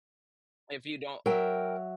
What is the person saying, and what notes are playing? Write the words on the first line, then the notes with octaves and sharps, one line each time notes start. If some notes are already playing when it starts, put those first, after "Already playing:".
if you don't
F#3 A#4 E5 G5